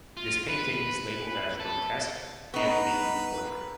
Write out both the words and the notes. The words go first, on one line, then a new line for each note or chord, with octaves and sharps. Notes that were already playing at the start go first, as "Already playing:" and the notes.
This painting is labelled as "grotesque" and "a group portrait".
F4
B4
A4
B3 D#4 B4 A#5 B5 C#6